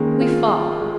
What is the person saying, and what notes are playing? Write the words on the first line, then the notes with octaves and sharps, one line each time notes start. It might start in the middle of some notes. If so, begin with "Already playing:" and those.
We fall.
Already playing: D#3 G#3 A#3 C#4
F4
F4
G#3